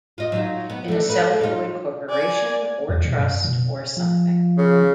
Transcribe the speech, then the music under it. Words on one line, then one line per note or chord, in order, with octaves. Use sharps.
In a celluloid corporation or trust or something.
F4 D#5
F#3 D#4 F4
B3
A3 D4
A#3 B4
D#4 F4
D5 G#5
E2
B2
F#2
B2
F3
C#3